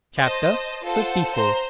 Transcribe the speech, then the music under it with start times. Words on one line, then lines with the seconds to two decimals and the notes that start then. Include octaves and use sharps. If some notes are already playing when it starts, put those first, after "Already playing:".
Chapter LIV.
0.18 C5 D#5 A5
0.84 F4 A4 C5 F#5
1.34 C5 A#5 C6